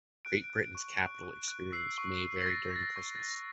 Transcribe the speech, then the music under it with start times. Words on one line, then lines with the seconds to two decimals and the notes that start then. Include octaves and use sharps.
Great Britain capital’s experience may vary during Christmas.
0.25 F#6 D7
0.44 D7
0.50 F#6
0.63 D7
0.75 C#6
0.99 F#6
1.23 C#6
1.48 F#6
1.72 E6 C7
1.98 C#6
2.22 C#6
2.42 A#6
2.46 C#6 A6
2.70 C#6
2.76 A6
2.83 A#6
2.96 C#6
3.15 A6
3.19 F#6 A#6